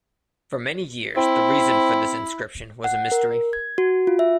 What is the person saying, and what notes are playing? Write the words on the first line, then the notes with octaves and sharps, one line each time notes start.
For many years the reason for this inscription was a mystery.
C4 E4
F#5
A#4
G#6
F#4
F4
E5